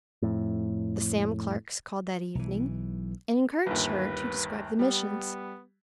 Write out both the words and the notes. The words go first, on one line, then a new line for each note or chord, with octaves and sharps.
The Sam Clarks called that evening and encouraged her to describe the missions.
F2 A2
B1 E3
G1 D#2 B4
G3 B3